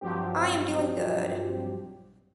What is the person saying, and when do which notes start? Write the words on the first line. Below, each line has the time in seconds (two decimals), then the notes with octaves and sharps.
I am doing good.
0.01 G2 F3 F#3 C4 G4